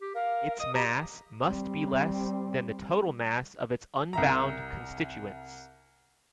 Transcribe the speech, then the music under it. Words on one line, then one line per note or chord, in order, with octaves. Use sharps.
Its mass must be less than the total mass of its unbound constituents.
G4
A#4 F5
D#5 D#6
G4 A#5
G3 C4
C2 E5 A#5